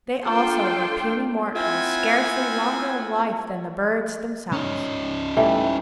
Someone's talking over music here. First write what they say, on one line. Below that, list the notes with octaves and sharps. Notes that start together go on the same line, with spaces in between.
They also were puny mortals, scarcely longer of life than the birds themselves.
D4 F4 A4 G5 C6
C4 E4 F4 E5 F#5 G#5
C#4 D#4
E3 G3 A3